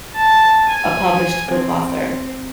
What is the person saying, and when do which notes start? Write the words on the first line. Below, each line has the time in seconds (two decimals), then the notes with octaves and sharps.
a published book author.
0.16 A5
0.69 G#5
1.51 C4